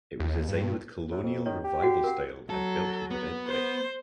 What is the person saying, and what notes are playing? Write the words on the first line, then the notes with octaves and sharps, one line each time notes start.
It was designed with Colonial Revival style and built with red brick.
D#2
G2
F#2
F2
D#3 C#5
G4
F#4 F#5
A#4 F#5
F#3 A4
B3
C5